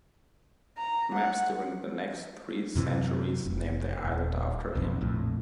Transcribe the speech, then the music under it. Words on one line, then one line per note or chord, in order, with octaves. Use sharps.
Maps during the next three centuries named the island after him.
A#5
F#5
F#2 C3 E3
F1
D#1
B1 F2
A#1 F2 A2